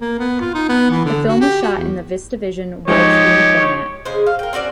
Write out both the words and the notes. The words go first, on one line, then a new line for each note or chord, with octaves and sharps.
The film was shot in the VistaVision wide-screen format.
A#3
B3
F4
D#4
B3
E3
D3
F#4
G4
F#4
E2
F3 G#3 D#4 G4 C#5 D#5
C#3 G#3 G#4 C5
F5
A#4 G5
C4 C#4 F#4 D5